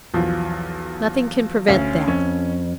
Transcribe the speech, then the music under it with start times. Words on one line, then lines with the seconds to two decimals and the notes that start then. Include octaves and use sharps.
Nothing can prevent that.
0.14 B1 E2 F3
1.68 D2 C#4 F5
2.08 F2 C#4